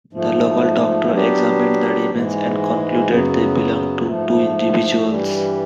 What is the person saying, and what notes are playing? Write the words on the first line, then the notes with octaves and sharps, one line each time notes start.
A local doctor examined the remains and concluded they belonged to two individuals.
G#2 F3 A3
F#3 B3 D4 G4
G#2 E3 G#3
F#2 C#3 F#3 B3
G#2 F3 A3
G2 E3 G3